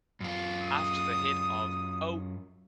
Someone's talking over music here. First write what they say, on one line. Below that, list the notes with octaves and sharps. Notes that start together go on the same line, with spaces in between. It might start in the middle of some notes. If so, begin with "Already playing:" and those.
After the hit of Oh!
F#2 F4
D#6